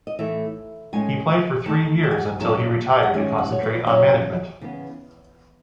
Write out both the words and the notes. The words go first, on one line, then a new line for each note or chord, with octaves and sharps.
He played for three years until he retired to concentrate on management.
D#5
A2 E3 A3 E4 E5
A2 G#3 C#4 G#5
D#3 A3 D#4 A5
A5
G#5
F#5
G#5
B2 F#3 C#4 E4 A5
F#5
D#3 G#3 C#4 E4 G#5
F#5
C#5
B4
F#2 C#3 F#3 C#4 E4 C#5
C#3 E3 B3